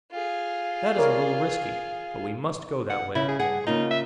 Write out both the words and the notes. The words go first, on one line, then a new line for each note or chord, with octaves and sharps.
That is a little risky, but we must go that way.
F4 G#4
A#4 C#5 D5
F#5
C#3 E4
G#4
G2 G#4 F#5
C#3 A#3 D#4 F4
E5